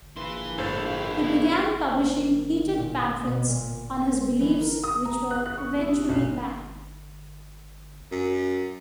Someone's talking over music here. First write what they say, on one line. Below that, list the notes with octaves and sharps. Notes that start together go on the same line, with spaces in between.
He began publishing heated pamphlets on his beliefs which were eventually banned.
A#1 A#3 E4 B4 C6
G1 A2 D4 A4 C5
G#4 G5
E4
C5
A#3
D#3
A#2
D#6
B2
A#2
E3
A#4
D#6
A#5
F#6
F#6
C#6
E4
C3
B1
F#2